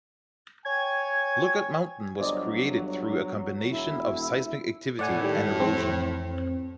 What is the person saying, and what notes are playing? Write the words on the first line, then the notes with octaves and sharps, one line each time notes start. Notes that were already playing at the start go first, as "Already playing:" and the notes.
Lookout Mountain was created through a combination of seismic activity and erosion.
C#5 G5 G#5 G#6
G1 F#3 C5 D5 D#5
E1 E4
A2 D5 F#5 G#5
D#3 G3
F2 E3 C4